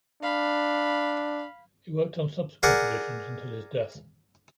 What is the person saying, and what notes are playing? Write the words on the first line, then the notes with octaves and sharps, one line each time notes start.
He worked on subsequent editions until his death.
D4 F5 B5
G#4 A#4 D5 F#5